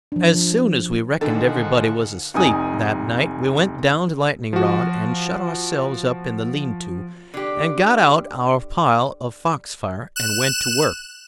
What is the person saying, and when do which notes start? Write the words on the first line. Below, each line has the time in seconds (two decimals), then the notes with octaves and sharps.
AS soon as we reckoned everybody was asleep that night we went down the lightning-rod, and shut ourselves up in the lean-to, and got out our pile of fox-fire, and went to work.
0.12 F3 D4
1.21 G#2 D3 D#3 F3 F#4 A4
2.34 F1 D#4 G5 G#5 D#6
4.53 F3 F#4
7.34 D3 G4
10.16 F#6 E7